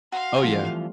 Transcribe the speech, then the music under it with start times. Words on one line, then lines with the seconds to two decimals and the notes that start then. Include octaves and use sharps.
Oh, yeah.
0.12 F#4 F5 C6
0.43 E3 F3 G3 A3 C4 F4